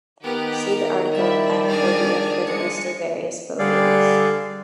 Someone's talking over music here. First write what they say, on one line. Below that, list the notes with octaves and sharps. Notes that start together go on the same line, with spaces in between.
See the article at -phobia for the list of various phobias.
D#3 B3 G4 A#4
G3 E4 D5 E5
D4 G#4 F6
G#3 C#7
D3 G3 G#4 D5 F5